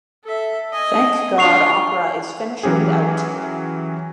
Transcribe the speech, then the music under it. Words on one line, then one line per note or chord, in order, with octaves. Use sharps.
Thank God opera is finished and out.
A4 E5
D#5 G#5
D4 F4 C#6 C7 F7
E3 F#3 C#4 G4 G#4